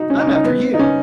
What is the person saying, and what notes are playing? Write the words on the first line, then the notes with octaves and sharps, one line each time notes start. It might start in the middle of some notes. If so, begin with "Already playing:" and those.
"I'm after you."
Already playing: D#4 F#4
C#4
D#4
C#4
D#4
B3
D#4
C#4